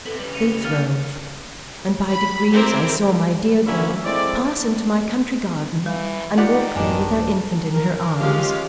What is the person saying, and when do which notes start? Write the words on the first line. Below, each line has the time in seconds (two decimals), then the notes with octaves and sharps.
They throve, and by degrees I saw my dear girl pass into my country garden and walk there with her infant in her arms.
0.06 C3 B3 A4
0.19 C#3 G3 B4
0.33 C#7 D#7 F7
0.64 D#3 A#3 F6 A6
2.10 B5
2.51 C4 E4 G4 A#4 C5
3.66 A#2 D3 F#3 A#3 C#4 E4
4.05 G#3 A3 C4 E4 D5
5.86 E3 G3
6.38 D#3 D#4 F4 G4 D5 F#5
6.76 A1 F#2 D4 D#5 G#5
7.72 A#4
8.20 G#3 C#4 F4 G4 F5